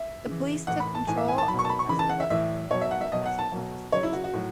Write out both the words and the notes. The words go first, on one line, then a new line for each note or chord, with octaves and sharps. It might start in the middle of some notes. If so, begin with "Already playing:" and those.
The Police took control of the festival area and the festival was cancelled.
Already playing: E5
C#3
E3
A2 E3 F#5
B5
A5
A2 E3 G#5
E5
G#5
A5
F#3 B5
B2
C#6
A5
B5
C#6
C#3 E3 B5
A5
F#5
E5
A2 E3 E5
B2 F#3 C#5
E5
F#5
E5
B2 F#3 D#5
F#5
A5
B2 F#3
C#3 F#3 C#5
E4
F#4
F#4
A2 F#3